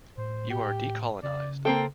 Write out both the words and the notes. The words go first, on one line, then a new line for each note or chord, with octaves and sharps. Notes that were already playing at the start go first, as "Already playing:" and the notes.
You are decolonized.
A2 C5
G4
C#3 D5
A#3 C4 A4 G5